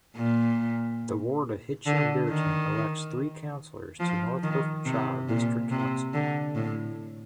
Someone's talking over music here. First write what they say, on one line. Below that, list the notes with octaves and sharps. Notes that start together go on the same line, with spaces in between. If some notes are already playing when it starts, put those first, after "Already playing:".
The ward of Hitchin Bearton elects three councillors to North Hertfordshire District Council.
A#2
D3
D#3
F3
D#3
C3
A#2
C3
D3
A2